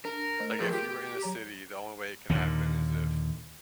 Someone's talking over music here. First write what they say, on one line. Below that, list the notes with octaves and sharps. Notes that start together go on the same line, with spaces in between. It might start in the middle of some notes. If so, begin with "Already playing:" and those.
like, if you were in a city, the only way it could happen is if
D4 A#4
A3 C5
F3 F#3 A3 G#4 A#4 B4
F4 G4
F#3 C#5 A#5
D#2 A#2 D3